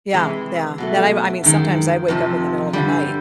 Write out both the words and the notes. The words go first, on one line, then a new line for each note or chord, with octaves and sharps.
Yeah, yeah, that I m I mean, sometimes I wake up in the middle of the night.
C3 E3 G#3
B2 F#3 A3
F#2 D#3 G#3
F2 C3 F3
G2 D3 G3